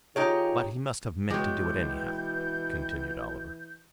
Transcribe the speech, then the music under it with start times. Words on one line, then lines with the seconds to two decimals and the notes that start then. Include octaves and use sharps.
"But he must have meant to do it anyhow," continued Oliver.
0.16 D#3 D#4 F4 G4 G#4 C#5
1.30 B2 E3 G#3 C#5 G5 D6 G6